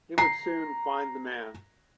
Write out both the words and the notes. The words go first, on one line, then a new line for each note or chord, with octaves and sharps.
He would soon find the man.
A#5 C7